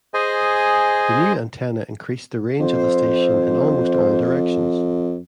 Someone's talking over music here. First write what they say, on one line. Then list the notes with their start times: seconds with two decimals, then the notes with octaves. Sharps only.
The new antenna increased the range of the station in almost all directions.
0.14 G#4 C5 D#5 G#5
2.60 F2 C5